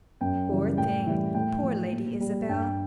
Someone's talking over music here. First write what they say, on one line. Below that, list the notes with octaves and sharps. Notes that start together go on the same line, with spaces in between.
Poor thing--poor Lady Isabel!
F#2 G5
C#3 E3 G3
A2 G5
E3 G3
A2 G5
F3
A#2
G3
G2 G5